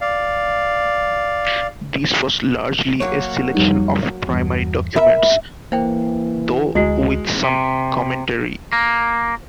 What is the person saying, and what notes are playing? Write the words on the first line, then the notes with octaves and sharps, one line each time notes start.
This was largely a selection of primary documents, though with some commentary.
D5 F5
F#3 A#3 C#5
F2 G3 D#4
E2 G2
A#4 E5 B5
E3 A#3 C5 G5
D2 G#3 E4 F#4
C3
A#3